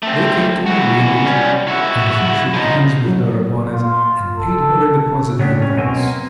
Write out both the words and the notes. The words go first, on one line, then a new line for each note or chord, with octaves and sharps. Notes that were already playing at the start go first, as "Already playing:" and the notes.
They came to an agreement, and he shook hands with her upon it, and paid her a deposit in advance.
A3 C4
E3 F#4
G3 C#4
E4 F#4
F3 D#4
F#3
F4
A4
C#3 F#3 D4 G4
C#4
B2 F#3 A#3 C4 G#5